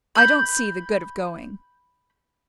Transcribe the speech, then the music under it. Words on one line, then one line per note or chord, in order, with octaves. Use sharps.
I don't see the good of going.
B5 G6